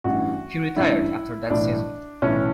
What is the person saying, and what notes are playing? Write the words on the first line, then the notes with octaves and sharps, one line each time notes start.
He retired after that season.
A1 G2 E3 F#4
A1 G2 E3 E4
B1 A2 E3 D4
B1 A2 E3 C#4